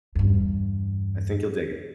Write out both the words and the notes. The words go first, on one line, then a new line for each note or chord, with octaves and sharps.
I think you'll dig it.
E2 G2